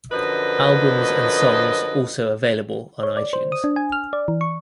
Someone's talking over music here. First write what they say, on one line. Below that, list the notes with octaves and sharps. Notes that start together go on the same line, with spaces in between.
Albums and songs also available on iTunes.
F#2 D3 F3 B4 D#5
C#5
D5
C5
D#6
D4
G#5
F6
D5
E3
C#6